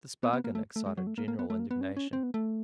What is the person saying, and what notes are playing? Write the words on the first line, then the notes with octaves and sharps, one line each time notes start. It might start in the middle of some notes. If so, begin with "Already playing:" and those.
This bargain excited general indignation.
B3
B3
A#3
A3
A3
G#3
F#3
A3
A#3
A#3
B3
A3
A#3
B3
C#4
C#4
C4
B3
A3